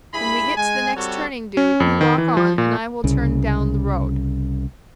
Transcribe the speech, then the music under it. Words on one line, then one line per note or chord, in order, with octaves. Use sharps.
When we get to the next turning do you walk on and I will turn down the road.
G2 E4 G#4 B5
G#3 G#5
G3 C4 F#4 A4 C#5
C#4
F2
D#3
E3
F3
A#2
C2 C#3